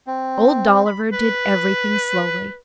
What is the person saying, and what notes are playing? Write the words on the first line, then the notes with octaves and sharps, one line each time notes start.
Old Dolliver did everything slowly.
C4
B5
B4